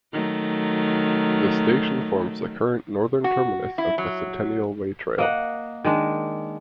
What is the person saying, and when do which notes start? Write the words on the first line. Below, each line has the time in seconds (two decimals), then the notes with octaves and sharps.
The station forms the current northern terminus of the Centennial Way Trail.
0.12 D#3 F#3 A3
3.24 F#4
3.78 E4
3.98 F#3
5.18 A#3 D#5 F#5
5.85 D#3 G#3 D4